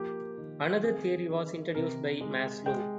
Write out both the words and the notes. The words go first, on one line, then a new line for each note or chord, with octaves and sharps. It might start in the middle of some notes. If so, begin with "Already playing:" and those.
Another theory was introduced by Maslow.
Already playing: F3 A#3 G4
D#3
C4 G#4
D#3
C3 A#4
G#3
G#3 G5